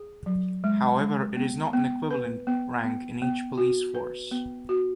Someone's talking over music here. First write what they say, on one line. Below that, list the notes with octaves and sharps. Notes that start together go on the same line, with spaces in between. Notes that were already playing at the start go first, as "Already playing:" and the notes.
However, it is not an equivalent rank in each police force.
Already playing: G#4
F#3
G#3
G#3
B3
B3
B4
B3
B3
B3
F#4
B4
B3
F#4